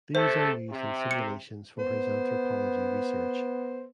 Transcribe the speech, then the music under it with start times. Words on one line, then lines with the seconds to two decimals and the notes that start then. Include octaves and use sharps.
These are used in simulations for his anthropology research.
0.15 C3 A3 A4 C5
0.70 C3
1.11 C#7
1.79 B3 C5